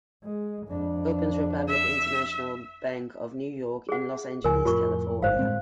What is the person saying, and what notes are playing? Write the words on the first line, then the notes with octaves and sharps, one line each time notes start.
Opens Republic International Bank of New York in Los Angeles, California.
G#3
F2 D4
E5
G#4 F#5
C#2 F3 A#4 G#5
F2 A2 F4 A#4 C#6
G1 G#2 C5 F5
A2 G#3 C4